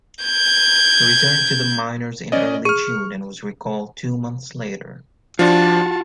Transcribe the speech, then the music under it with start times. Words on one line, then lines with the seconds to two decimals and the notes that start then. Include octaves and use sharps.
He returned to the minors in early June and was recalled two months later.
0.23 G6 G#6
2.32 C#4 D5 D#5
2.65 G#4 C#6 F6
5.39 F3 D4 F4 F#4 A5